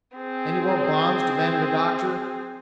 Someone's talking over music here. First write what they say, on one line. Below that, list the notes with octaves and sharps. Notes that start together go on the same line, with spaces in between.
"Any more bombs?" demanded the doctor.
C4 G#4